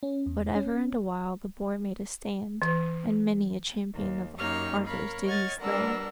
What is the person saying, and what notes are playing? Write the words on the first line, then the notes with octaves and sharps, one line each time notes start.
But ever and awhile the boar made a stand, and many a champion of Arthur's did he slay.
C#4
E2
C#4
E3
D#2
F#2 A#3 D#4 G4 C#5 F6
A#4 C#5 F5 B5
C#5 D#5 F#5 F6 G#6 A6
B2 G3 D4 A#4 F#5 E6